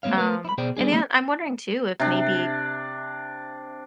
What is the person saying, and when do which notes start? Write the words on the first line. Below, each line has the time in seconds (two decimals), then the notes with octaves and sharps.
Um, and then I'm wondering too if maybe
0.03 G#3 A#3 C4 C#5 F5
0.18 A3 A#4 B4
0.45 E4 B5
0.58 B2 G#4 C5 D5 G5
0.77 G3 B3 D4 G#4
0.91 G3 G#3 A#3 C#4 E4 G#4
2.00 C3 D4